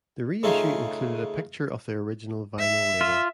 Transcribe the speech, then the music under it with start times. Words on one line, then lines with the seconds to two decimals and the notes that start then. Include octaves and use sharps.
The reissue included a picture of the original vinyl label.
0.43 C#3 A3 D#4 F4 G#4
2.59 E5
3.01 F4